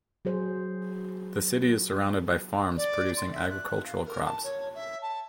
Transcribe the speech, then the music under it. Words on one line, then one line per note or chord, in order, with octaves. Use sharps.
The city is surrounded by farms producing agricultural crops.
F#3 G#4 C5
D5
C6
E5
F#6
F5
A#4
A5
C#5
E5
A5